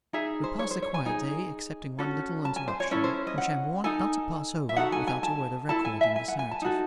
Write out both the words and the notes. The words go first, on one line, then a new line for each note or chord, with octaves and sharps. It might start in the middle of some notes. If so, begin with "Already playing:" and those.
We passed a quiet day, excepting one little interruption, which I am warned not to pass over without a word of record in this narrative.
D#4 G#4 E5
C5
C#5
C5
C#5
G#5
D#4 G#4 G#5
C#4 F#4 A4
A5
G#5
C5
C#5
C#4 E4 A4 C#5
C5
D#5
F#5
D#4 A4 G#5
E5
D#4 F#4 A4 F#5
G#5
G#5
A5
E4 A4 A5
G#5
E5
G#5
F#5
G#5
A5
D#4 F#4 A4